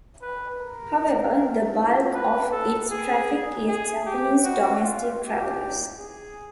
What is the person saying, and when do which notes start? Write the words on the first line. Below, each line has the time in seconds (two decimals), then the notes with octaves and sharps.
However, the bulk of its traffic is Japanese domestic travelers.
0.22 B4
0.60 A#4
2.14 B4
2.52 A4
2.91 G#4
3.68 G#4
4.06 G4
4.44 F#4
4.83 F4
5.21 G4
5.98 G#4